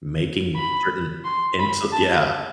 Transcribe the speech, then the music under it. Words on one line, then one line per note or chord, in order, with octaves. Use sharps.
making certain into yeah.
B5
C6
B5
A5